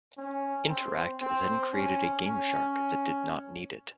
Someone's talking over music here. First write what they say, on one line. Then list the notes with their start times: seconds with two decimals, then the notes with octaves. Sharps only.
InterAct then created a GameShark that did not need it.
0.18 C#4
0.69 C4
1.22 C4
1.74 C#4
2.25 C#4